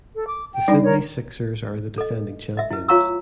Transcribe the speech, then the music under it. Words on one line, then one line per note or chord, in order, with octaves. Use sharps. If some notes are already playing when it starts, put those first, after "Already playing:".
The Sydney Sixers are the defending champions.
A4
D6
G5
G3 D4 D#4
A#4 C#5
A4 D#5
D#5 E5
E4 B4
F4 C#5 F5 A#5 C#6 E6